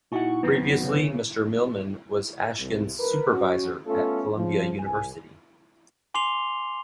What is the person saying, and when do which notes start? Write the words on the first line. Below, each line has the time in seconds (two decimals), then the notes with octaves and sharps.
Previously, Mr. Millman was Ashkin's supervisor at Columbia University.
0.12 A#2 D#4 E4 F#4 F#5 C#6
0.43 F#2 D#3 B3 C4
0.83 C#3
2.59 C2
2.99 A#4 B4
3.32 C#4 F#4
3.87 A3 B3 C#4 F4 A4
4.36 F2 C#3 F3
4.80 C2 G#5
6.14 G#5 C6 D6 C7 F7 G7